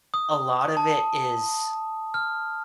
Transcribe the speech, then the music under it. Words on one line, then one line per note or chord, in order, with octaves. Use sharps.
a lot of it is
D#6
A5
F6